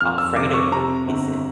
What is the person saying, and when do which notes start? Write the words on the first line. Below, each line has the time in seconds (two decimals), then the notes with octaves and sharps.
Alfredo tasted.
0.01 F2 F6
0.18 E6
0.36 C3 D6
0.54 C#6
0.72 C3 A#5
1.08 G1